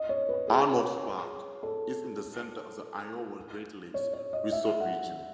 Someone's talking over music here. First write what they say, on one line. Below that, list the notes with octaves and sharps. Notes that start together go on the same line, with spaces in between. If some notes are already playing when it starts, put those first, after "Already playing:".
Arnolds Park is in the center of the Iowa Great Lakes resort region.
Already playing: D#5
C#5
B4
G#4
A4
C#5
C#5
D#5
E5
F#5